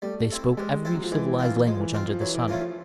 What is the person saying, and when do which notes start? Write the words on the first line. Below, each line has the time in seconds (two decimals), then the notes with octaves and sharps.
They spoke every civilized language under the sun.
0.02 G3 A3
0.31 C4 E4 A4
0.57 G3 G#3
0.85 C4 E4 A4
0.95 F#3
1.04 F3
1.12 E3 G#3
1.39 C4 F4 A#4
1.66 F3 G#3
1.80 E3
1.93 C4 F4 A#4
2.07 F3
2.20 E3 F#3
2.35 E3
2.48 F3 A3 C#4 F4 A#4
2.62 F3